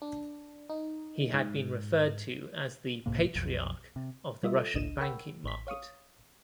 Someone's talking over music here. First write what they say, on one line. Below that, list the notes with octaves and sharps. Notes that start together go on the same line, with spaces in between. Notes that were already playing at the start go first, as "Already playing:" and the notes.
He had been referred to as the "Patriarch" of the Russian banking market.
D4
D#4
G#2
B1 G#2 C3 A#3
B1 F2
C3
G3 F4 D#5 E5
A4
G#1 C#2 D4 D#5 D#7 E7
A#4 F#5 G5 B5 C#6 E6
A1 B6
C#5 F5 C#6 D#6